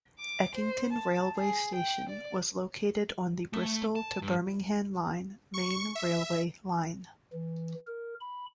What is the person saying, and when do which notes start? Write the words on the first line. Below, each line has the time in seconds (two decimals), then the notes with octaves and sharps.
Eckington railway station was located on the Bristol to Birmingham Line main railway line.
0.19 D6
0.55 C5
0.93 A5
1.37 G#4
1.75 G5
2.09 D5
3.53 A3
3.95 A5
4.22 G2
5.54 C#6
5.95 E5
7.33 E3
7.87 A#4
8.21 B5